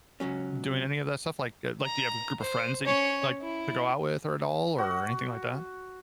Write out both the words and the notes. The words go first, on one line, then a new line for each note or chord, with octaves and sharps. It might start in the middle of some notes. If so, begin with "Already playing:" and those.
doing any of that stuff? Like, uh, like, do you have a group of friends that you like to go out with or at all, or anything like that?
C#2 G2 F#3 C#4
A#5
C5
C#4 C#5
E4
F#4